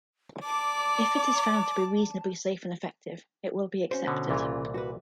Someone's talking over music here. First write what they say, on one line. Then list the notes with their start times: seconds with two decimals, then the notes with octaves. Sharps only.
If it is found to be reasonably safe and effective, it will be accepted.
0.44 D5 A5 D6
3.91 C#4 F#4 C5
4.07 B2 D3
4.29 C2 A#2 C#3 E3 F4
4.74 F#4 B4